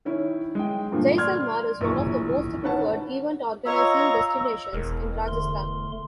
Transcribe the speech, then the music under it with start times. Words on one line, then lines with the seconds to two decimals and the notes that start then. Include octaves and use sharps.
Jaisalmer is one of the most preferred event organizing destinations in Rajasthan.
0.05 D#3 C#4 E4
0.55 G#3 G5
0.92 G2 A#2 D3 F3
1.17 D5 C6 F6 G#6
1.81 A#1 F#2 E3 C#6
2.63 D#3 C#4 B4 F#5 A5
3.66 F4 C#5 D#5 A#5 E6
4.73 E1 A#4
5.28 D3 A3 C6